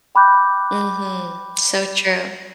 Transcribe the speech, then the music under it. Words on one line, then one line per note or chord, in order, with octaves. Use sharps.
Mhm, so true.
G5 B5 D6 F#6 G6